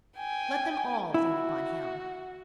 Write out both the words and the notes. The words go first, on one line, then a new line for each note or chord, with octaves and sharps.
Let them all lean upon him.
G5 G#5
E4 F#4